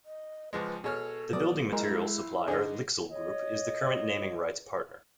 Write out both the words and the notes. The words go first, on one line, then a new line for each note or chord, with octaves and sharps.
The building materials supplier Lixil Group is the current naming rights partner.
D#5
C#2 F3 G#3 B4
B2 G#4 A4 C#5 F6
F#3 B3 D5 D#6
A#1 G#3 E4 A#4
D3 D#4 G#4
C#5 D#5